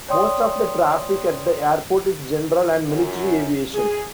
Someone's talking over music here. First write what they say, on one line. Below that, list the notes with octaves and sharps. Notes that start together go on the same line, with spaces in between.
Most of the traffic at the airport is general and military aviation.
C#5 D5 G5 C6 D#6
F#2
G#4